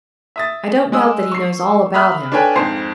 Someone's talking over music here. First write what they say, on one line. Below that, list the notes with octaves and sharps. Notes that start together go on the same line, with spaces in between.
I don't doubt that he knows all about him.
E5 D#6 A6
G#3 D#6 E6
C#6 C7
E5 B5 D#6 F6 F#6
D4 A4 B4 C#5 G5 G#5
F2 G#2 C5 C7